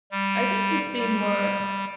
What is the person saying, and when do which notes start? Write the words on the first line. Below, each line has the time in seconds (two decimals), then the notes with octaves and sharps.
I think just being more
0.11 G3
0.98 G3